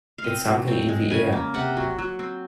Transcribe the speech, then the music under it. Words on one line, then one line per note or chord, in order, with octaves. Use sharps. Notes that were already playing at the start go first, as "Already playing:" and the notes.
It's something in the air.
F5
C4 D#5
F#3
C4
G#3
C#3 G#5
A#3
C3 F#5
F#3
F#3
C4